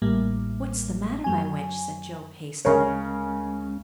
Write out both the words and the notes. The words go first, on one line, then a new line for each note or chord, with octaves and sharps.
"What's the matter, my wench?" said Job, hastily.
A1 A2 G3 A#3
F#2 F#3 G#5
D2 C#3 G#3 C#4 A#4 C#5